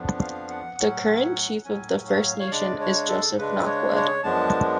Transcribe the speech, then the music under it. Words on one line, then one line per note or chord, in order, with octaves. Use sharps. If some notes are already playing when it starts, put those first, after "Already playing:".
The current Chief of the First Nation is Joseph Knockwood.
Already playing: F2 F3 B3 D4
F5
F#5
A2 F#3 C#4
A2 F#3 C#4 G#5
F5
C#5
C#3 G#3 D4 D5
C#5
A4
C#3 G#3 D4 B4
C#5
C#5
F#2 F3 G#3 B3 D4 A5